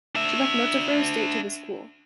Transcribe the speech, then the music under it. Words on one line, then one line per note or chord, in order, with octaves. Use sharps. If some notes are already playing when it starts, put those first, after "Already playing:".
She left most of her estate to the school.
D4 E5